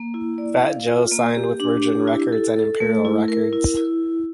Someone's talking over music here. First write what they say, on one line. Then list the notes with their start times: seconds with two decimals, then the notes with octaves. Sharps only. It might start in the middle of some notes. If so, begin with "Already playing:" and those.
Fat Joe signed with Virgin Records and Imperial Records.
Already playing: A#3
0.14 E4
0.38 D5
0.62 F5
0.87 F4
1.11 A#3
1.35 G4
1.60 D4
1.84 G4
2.08 E4
2.32 A4
2.56 A4
2.80 A3
3.05 E4
3.28 A#4
3.53 E4
3.77 E4